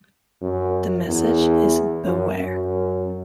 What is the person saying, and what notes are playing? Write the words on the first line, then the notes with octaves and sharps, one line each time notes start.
The message is Beware.
F#2
E2
F#2
F#2